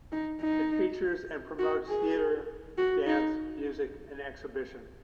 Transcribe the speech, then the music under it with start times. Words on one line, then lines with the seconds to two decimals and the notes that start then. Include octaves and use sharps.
It features and promotes theatre, dance, music and exhibitions.
0.12 D#4
0.41 D#4
1.59 F#4
1.89 G#4
2.78 F#4
3.07 D#4